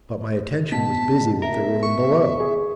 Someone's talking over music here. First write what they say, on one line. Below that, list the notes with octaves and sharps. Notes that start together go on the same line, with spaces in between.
But my attention was busy with the room below.
B2 A5 B6
A#4 E5
C#6
G#4